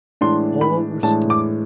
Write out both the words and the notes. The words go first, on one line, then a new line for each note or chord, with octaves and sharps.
All were still.
A2 E3 G#3 D4 C6
B5
A2 E3 G#3 D4 A5
D6